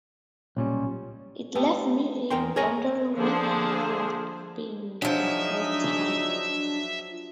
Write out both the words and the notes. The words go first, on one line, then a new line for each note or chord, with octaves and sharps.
It left me wondering where the hell I'd been the whole time.
B1 A#2 G3 C#4
A3 B3 G4
E2 A#4 G5 C6
G#4 A#4 C#5 D#5 A#5
D3 F3 A#3 D4 G#4 C5
F3 F#3 G#3 D4 D#4 G#4 E5